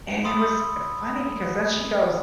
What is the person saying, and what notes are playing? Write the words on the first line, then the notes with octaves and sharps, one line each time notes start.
And it was funny because then she goes,
B5 C6 D#6 E6 A6